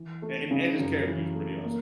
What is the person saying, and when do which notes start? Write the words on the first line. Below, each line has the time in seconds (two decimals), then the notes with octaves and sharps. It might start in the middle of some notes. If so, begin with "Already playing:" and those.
a and and his character is pretty awesome.
Already playing: E3
0.22 A3
0.51 C#3
0.79 F#2
1.07 E3
1.35 A3
1.64 A#3